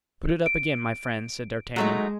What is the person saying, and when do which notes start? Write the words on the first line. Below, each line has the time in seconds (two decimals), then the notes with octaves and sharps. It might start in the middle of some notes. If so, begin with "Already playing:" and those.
"Put it up again, my friend," said D'Artagnan.
0.46 D7
1.76 F#3 G#3 A3 D#4